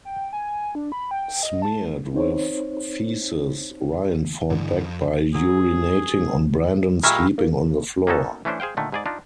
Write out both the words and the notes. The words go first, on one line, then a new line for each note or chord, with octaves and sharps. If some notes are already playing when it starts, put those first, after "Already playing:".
Smeared with feces, Ryan fought back by urinating on Brandon sleeping on the floor.
G5
G#5
D4
B5
G5
D#5
A5
C4 D#4 C5 C#5
G2 D3 E3
F2
F#3 G#4
A#2 G#3 G4 E5 B5 C#6 F6 G#6
A#3
A#3 B3 C#4 D#4 F#4 A4
E3 A3 C#4 D4 C5
G#4 C5 F5 G5
A#2 D3 D#3 A3
G#2 G#4 D5
D4 D#4 F4